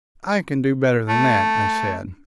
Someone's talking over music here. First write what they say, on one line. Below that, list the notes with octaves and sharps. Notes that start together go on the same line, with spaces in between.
"I can do better than that," I said.
A3